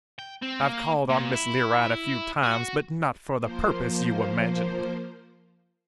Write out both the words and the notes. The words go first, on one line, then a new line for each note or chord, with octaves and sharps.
I've called on Miss Learight a few times; but not for the purpose you imagine.
G5
C4
A#3
A#2
E4
F#4
F3 A#3 C5